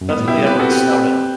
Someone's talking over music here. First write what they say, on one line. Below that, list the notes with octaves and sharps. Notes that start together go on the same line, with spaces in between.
that's what Edward Snowden.
F#2
G2 B3
A2
B2 E4 G4
G3
C4 G4 B4
F#4 A4
G4 B4